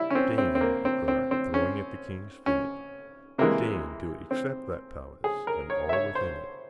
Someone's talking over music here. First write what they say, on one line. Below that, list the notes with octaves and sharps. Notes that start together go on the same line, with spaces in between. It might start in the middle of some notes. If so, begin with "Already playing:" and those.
Deign," he cried, throwing at the king's feet, "deign to accept that palace and all within it.
Already playing: G3 E4
C#4
C4
C4
C4
A#3
C4
C4
C4
C#4
C#4
C3 E3 G#3 A#3
C4
G#4
A#4
C#5
E5
C#5
C5